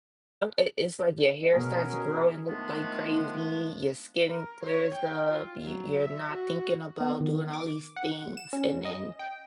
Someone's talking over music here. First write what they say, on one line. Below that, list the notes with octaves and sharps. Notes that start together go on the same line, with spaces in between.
it it's like your hair starts growing l like crazy, your skin clears up, you you're not thinking about doing all these things, and then
B2 C#4 G#4 A#4
D#3 F3 G#3 A3 B3 D4
A#4
C#5
G5
F4
F#3
E5
F#4
B3
D#3
D6
F#5
E7
C#4
D#5
G5